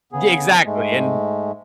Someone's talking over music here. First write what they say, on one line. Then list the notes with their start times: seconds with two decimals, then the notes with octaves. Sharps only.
Yeah, exactly, and
0.12 C#3 B3 G#4
0.65 G#2 G#3 A3